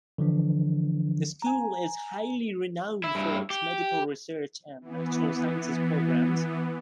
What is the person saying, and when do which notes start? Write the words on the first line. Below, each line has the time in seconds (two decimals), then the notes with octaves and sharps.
The school is highly renowned for its medical research and natural sciences programs.
0.18 D3 E3 F3 D4
1.42 G#5 A#5
3.04 E4
3.15 G2 E4
3.50 G4
4.81 E3 B3